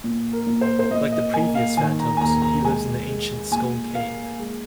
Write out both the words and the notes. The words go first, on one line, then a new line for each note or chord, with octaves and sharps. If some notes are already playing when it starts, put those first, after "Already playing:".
Like the previous Phantoms, he lives in the ancient Skull Cave.
A#2
A#4
A#2
C5
C5
A#2 D#5
D#5
A#3 G#5
F5
D#3 G#5
A#5
G#5
D#2 A#5
A#5
G#3 G#5
G#3
A#2 G#5
A#3 F5
G#3